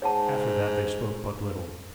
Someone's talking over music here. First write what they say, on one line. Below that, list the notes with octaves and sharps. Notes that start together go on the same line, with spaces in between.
After that they spoke but little.
G#2 C#5 F#5 A5